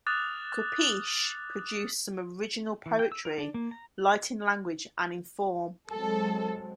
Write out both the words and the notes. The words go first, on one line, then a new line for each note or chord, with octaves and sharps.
Kopisch produced some original poetry, light in language and in form.
D6 D#6 F6 F#6 A6 F7
E3
G5
E6
A#4
D4
A#3
A#5
F#3 G#3 C4 A4